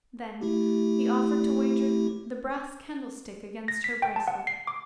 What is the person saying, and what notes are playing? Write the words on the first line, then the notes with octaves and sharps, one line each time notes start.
Then he offered to wager the brass candlestick against her bracelet.
A3 E4 G4
A#6
B6
G5
A5
F#5
C7
D6